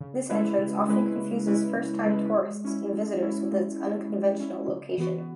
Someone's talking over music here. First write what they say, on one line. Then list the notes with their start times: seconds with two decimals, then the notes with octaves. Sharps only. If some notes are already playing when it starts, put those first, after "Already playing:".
This entrance often confuses first-time tourists and visitors with its unconventional location.
0.01 C#3
0.30 G#3 C#4 E4 B4
0.58 C#3
0.88 G#3 C#4 E4 B4
1.17 C#3
1.47 G#3 C#4 E4 B4
1.76 C#3
2.06 G#3 C#4 E4 B4
2.34 G#3
2.64 C#4 E4
2.94 G#3
3.22 C#4 E4
3.52 G#3
3.81 C#4 E4
4.10 G#3
4.40 C#4 E4
4.68 C#3
4.98 E3 B3 F#4 B4